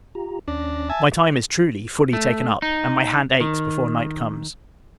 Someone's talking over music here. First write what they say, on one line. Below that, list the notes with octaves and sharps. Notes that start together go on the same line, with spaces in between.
My time is, truly, fully taken up, and my hand aches before night comes.
F4 G4 A#5
D#2 C#4 D4 A#6
E5 G#5 A5
A3
D#4
D#3